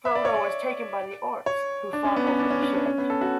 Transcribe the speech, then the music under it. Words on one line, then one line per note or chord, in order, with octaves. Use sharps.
Frodo was taken by the orcs, who fought over the shirt.
E5
D5
C#5
D5
C#5
D4
C#4
B3
C#4
D4
C#4
C#4
D4
C#4
B3
A4
F#4